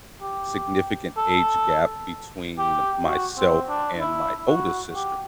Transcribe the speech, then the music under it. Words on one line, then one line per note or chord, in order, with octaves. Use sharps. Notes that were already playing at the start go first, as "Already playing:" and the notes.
significant age gap between myself and my oldest sister,
G4
A4
G4
F#4
C4
D4
E4
F#4
G4